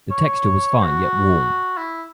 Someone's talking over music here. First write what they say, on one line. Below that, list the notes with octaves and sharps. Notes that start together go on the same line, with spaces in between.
The texture was fine yet warm.
C#5
F#4
E4